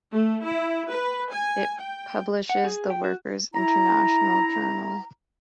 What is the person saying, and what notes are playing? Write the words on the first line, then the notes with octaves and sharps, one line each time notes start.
It publishes the "Workers International Journal".
A3
E4
B4
G#5
G5
F#5
G#4
G5
F#4
E4 A#5